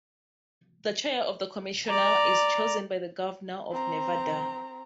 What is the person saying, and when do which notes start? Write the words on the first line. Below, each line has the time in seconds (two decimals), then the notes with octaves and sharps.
The chair of the commissioner is chosen by the Governor of Nevada.
1.86 D5 A#5
3.72 C4 A#5